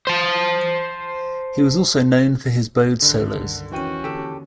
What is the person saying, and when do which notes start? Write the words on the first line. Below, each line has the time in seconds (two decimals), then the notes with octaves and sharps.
He was also known for his bowed solos.
0.07 C5 A5
3.02 C#2 G2 D3 D#3
3.72 F2 D#3 E3 C#4 F#4 G5 D#7
4.04 D#2 D3 G4 A4